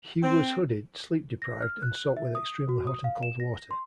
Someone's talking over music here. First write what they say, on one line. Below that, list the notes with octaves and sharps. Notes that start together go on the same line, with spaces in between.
He was hooded, sleep deprived, and soaked with extremely hot and cold water.
C4
A#6
F6
F#6
E5
D#6
F#4
D#6
F5
E7
A#6
C6